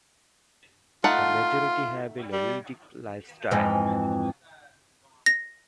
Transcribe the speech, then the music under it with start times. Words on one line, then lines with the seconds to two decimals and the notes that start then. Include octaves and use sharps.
The majority have a nomadic lifestyle.
1.04 A3 D#4 F4 F#5
2.33 G3
3.51 F2 G#2 E3
5.26 A#6